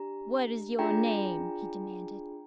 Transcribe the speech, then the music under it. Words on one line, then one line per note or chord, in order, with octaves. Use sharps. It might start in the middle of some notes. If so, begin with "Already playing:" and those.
"What is your name?" he demanded.
Already playing: D4 G4 A#5
D4 F4 G#4 G5 A#5